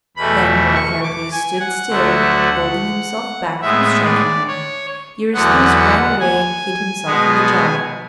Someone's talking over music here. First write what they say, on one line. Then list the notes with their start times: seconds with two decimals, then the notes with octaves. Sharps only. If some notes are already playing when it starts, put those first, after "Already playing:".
Then while Heracles stood still, holding himself back from striking him, Eurystheus ran away and hid himself in the jar.
0.16 E2 B2 A3 B5
0.74 C#6
1.03 D6
1.32 G#5
1.60 F#5
1.89 D2 D3 F#3 A3
3.61 A2 G#3 B3 E5
4.04 D5
4.47 C#5
5.33 E2 D3 F#3 B3 F#5
5.77 F#5
6.20 G#5
7.06 B2 G#3 B3